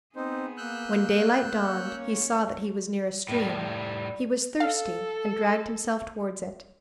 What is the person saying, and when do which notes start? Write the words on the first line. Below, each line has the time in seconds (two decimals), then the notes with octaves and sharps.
When daylight dawned he saw that he was near a stream; he was thirsty, and dragged himself towards it.
0.16 B3 C4 D#4 G#4 C5
0.58 A#3 E6 F#6 G6
1.60 C#4 C#5
3.29 A2 G3
4.60 A4 F5